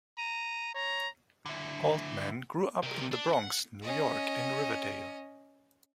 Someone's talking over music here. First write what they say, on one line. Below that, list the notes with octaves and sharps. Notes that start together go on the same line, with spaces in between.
Altman grew up in the Bronx, New York, in Riverdale.
A#5 D#7
C#5 A#5
D3 E4
C3 A#4
D4
F#5
C#4 D#5